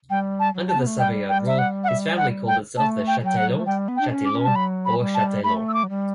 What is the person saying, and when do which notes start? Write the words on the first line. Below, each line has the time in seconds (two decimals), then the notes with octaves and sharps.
Under the Savoyard rule his family called itself Chateillon, Chatillon, or Chataillon.
0.10 G3 G5
0.40 A5
0.54 F#3
0.69 A5
0.76 B3
0.87 A3
0.99 G3 G5
1.29 G5
1.47 E5
1.58 F#5
1.84 F#5
1.88 E5
2.17 F#5
2.47 G5
2.77 A3 A5
3.07 G5
3.22 F#3 G5
3.37 F#5
3.59 A3
3.66 G3 G5
3.88 B3
3.96 G5
4.01 D4
4.11 C#4
4.25 D6
4.33 C#4
4.44 G3 A5
4.55 F#3 B5
4.85 B5
5.00 G3
5.15 A5
5.44 A3 B5
5.69 E6
5.74 D6
5.83 F#3
5.89 G3